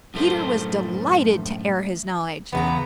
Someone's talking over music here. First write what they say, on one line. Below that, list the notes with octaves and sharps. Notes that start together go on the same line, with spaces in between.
Peter was delighted to air his knowledge.
F#2 A2 D#3 A3 C5
E2 C#3 B3 A#5